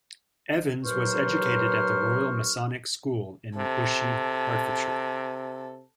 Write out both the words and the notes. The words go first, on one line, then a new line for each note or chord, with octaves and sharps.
Evans was educated at the Royal Masonic School in Bushey, Hertfordshire.
D#2 F#3 B4 C5 C#6 F6
C3 A4